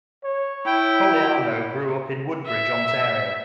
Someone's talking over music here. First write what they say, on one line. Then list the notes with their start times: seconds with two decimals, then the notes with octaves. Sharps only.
Cogliano grew up in Woodbridge, Ontario.
0.24 C#5
0.66 E4 G5
1.21 F#4
2.46 E5